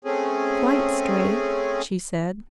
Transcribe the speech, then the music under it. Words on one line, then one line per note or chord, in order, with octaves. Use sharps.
"Quite straight," she said.
A3 C4 C#4 G#4